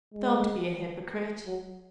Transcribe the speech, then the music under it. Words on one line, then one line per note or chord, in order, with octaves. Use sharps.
'Don't be a hypocrite.
G#3
F#3